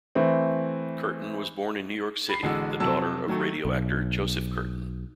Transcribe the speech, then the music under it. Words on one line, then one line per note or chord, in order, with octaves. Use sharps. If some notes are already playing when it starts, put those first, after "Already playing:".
Curtin was born in New York City, the daughter of radio actor Joseph Curtin.
E3 A3 C4
B5 C7
A1 D3 G#3 F#4 E6
F2 C3 F#3 A4 A5 E6
D#3 F#3 A3
B1